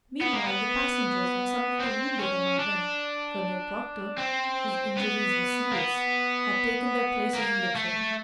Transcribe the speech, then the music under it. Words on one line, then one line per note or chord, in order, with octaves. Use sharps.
Meanwhile the passengers and some of the wounded, among them Colonel Proctor, whose injuries were serious, had taken their places in the train.
B3
A#3
B3
C4
C#4
D4
C4
B3
A#3
B3
A#3
A3